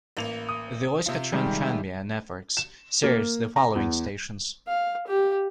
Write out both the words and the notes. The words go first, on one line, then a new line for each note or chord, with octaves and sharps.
The Euskotren Tranbia networks serves the following stations.
A1 A#3 F7
D#6
C3 F4
D#3 G3 G#3
E7
A#3
A#5
E2
F5
G4